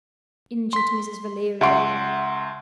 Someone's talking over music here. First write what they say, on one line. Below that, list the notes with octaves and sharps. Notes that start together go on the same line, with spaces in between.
Injured Mrs. Valeria!
C6 B6
C#2 E5 F#5 C6 D7